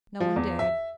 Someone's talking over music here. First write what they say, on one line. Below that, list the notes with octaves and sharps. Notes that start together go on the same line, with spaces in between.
No one dared.
F3
E2
E5